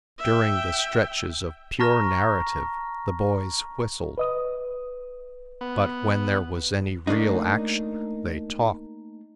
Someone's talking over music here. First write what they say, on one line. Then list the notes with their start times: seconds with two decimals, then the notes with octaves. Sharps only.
During the stretches of pure narrative, the boys whistled, but when there was any real action they talked.
0.19 E5 G5
1.80 A5 A#5 C#6 F6 A#6
4.18 B4 D#5 D#6
5.61 B3
7.07 A3 A#3 D4 D#4